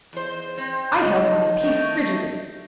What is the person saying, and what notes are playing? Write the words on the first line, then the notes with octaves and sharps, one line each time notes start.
I held my peace frigidly.
E2 C5
C4
C#3 D#4
D#3 A3